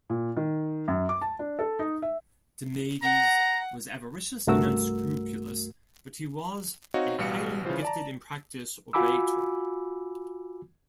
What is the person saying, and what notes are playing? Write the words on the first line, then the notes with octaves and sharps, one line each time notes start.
Demades was avaricious and unscrupulous, but he was a highly gifted and practised orator.
A#2
D#3
F#2
D6
A5
D4
A4
D#4
E5
F#5 A#5
C2 G2 A3 F#4 A#4 E6
C4 D#4 F#4 C#5 D#5 F5
A1 B2 G3 F5 C#7
C#3 E3 F3 F4 C5
D5 A5 A#5
F4 F#4 G#5 B5 D6 E6